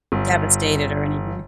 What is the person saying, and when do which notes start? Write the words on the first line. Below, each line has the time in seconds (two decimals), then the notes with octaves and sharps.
Devastated or anything.
0.12 G1